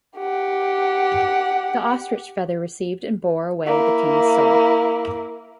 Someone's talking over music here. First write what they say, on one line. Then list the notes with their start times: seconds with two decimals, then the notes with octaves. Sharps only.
The ostrich feather received and bore away the king's soul.
0.17 G4 F#5
3.66 A#3 E4